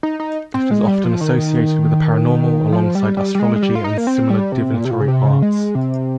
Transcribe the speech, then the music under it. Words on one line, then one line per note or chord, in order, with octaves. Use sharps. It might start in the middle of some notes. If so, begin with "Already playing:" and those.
It is often associated with the paranormal, alongside astrology and similar divinatory arts.
D#4
D#4
C4
G#3
G3
F3
D#3
F3
G3
G3
G3
G#3
G#3
G3
F4
D#4
A#3
C4
G3
C3
A#2
C3
A#2
C#3
C3
C#3
G#3
C3